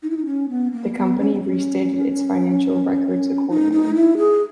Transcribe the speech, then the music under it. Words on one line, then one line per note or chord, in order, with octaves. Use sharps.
The company restated its financial reports accordingly.
D#4
E4
D#4
C#4
B3
A#3
B3
C#4
B3
C#4
D#4
D#4
E4
G#4